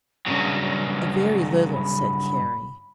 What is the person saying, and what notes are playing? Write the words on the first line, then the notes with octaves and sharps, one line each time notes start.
"A very little," said Carrie.
G2 C#3 F#3 C#4
B5